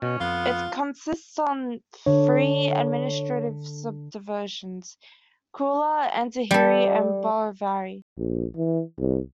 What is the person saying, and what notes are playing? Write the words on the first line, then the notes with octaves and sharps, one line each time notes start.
It consists of three administrative subdivisions : Kurla, Andheri, and Borivali.
B2 C#4
F2 B3 F4
D3 D4 C#5
G3 A4
A#1
E3
C2